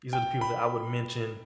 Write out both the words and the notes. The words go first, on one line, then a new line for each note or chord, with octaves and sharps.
These are the people that I would mention
G5
B5